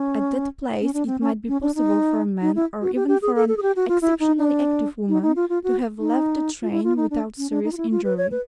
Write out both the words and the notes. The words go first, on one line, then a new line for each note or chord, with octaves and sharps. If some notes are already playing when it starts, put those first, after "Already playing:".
At that place it might be possible for a man, or even for an exceptionally active woman, to have left the train without serious injury.
Already playing: C#4
C#4
D4
C4
C#4
C#4
D4
D#4
D#4
E4
F#4
G4
G4
G#4
A4
A4
G#4
G4
F#4
F4
E4
D#4
D4
D#4
D#4
F4
F4
F#4
D#4
F4
E4
F4
D#4
D4
C#4
D4
D#4
F4
E4
F4
B4
C#5
B4